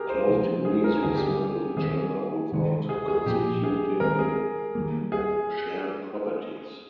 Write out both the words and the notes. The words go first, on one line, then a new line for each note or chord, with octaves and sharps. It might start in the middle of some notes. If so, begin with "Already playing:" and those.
Close degrees resemble each other without constituting shared properties.
Already playing: G4 G#4 A#4
C5
C3 F3 A#3
G#4
A#4
D3 G3 D4 G#4
G4
G#4
D#3 G3 C4 G#4
C3 D#3 G#3
G#4
G#4
A#2 F3 A#3 G4
G#4
D#3 G#3 C4 A#4
G#4
D#3 G3 A#3
G#4